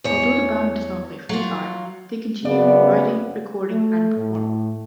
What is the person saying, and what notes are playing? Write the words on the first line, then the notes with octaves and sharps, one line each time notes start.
Although the band does not play full-time, they continue writing, recording, and performing.
E2 C#5
F#3 F4
F#2 C#3 B3 D5
A3
A2